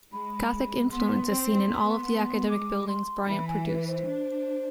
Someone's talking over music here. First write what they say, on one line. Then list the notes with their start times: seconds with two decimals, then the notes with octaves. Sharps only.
Gothic influence is seen in all of the academic buildings Bryant produced.
0.12 G#3 B5
0.91 B3 C6
1.31 C4
1.70 B3
2.49 G#3 D6
2.88 C6
3.28 E3 B5
3.48 G#5
3.68 B4
3.88 C5
4.07 D4